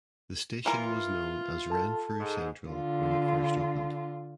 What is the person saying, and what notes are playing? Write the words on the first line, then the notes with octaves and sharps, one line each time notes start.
The station was known as Renfrew Central when it first opened.
E3 F4 A#4
A4 A5
G#2
D3 F4